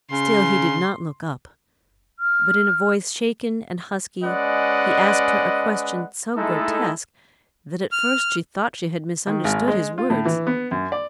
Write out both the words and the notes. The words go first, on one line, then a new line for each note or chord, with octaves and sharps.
Still he did not look up, but in a voice, shaken and husky he asked her a question so grotesque that at first she thought she had misunderstood his words.
C#3 C6
F6
G#3 C#4 B4 D5 D#5 F#5
G#3 A3 D#4 E4 A4
F6
D#3
G#1
G#3
F4
A2
E3
B3
F#2
D5